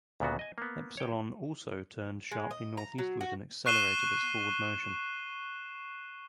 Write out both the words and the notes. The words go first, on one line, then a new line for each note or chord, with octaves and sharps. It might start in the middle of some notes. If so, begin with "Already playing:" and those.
Epsilon also turned sharply northeastward and accelerated its forward motion.
D2 A#2 C#3 B3 F#4
D#5 G#5
A#3 B3
C#5 G5
G#3
D#5
A#5
F#3
F#4
C#6 F#6 C7 D#7 E7 G7